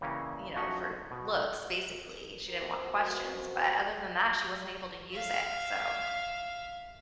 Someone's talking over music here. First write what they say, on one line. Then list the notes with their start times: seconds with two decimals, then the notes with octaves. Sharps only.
you know, for looks, basically, she didn't want questions but other than that, she wasn't able to use it. So,
0.01 C#3 E3 G3 A#3 C#4
0.56 F3 F#3 A3 C#4 D#4 F#4
1.11 B2
2.49 D#2 B2 F3 F#4 A#4 C5
5.10 E5 F5